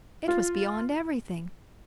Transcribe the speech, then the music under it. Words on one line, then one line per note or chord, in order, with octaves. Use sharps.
It was beyond everything.
F4